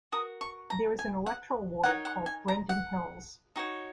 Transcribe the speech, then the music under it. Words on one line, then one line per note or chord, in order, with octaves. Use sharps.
There is an electoral ward called 'Brendon Hills'.
F#4 A#4 D#6
C#6
A#5
G#5
F#5
D#4 A#4 C#5 F#5
F#5
G#5
A#5
F#5
D#4 F#4 C#5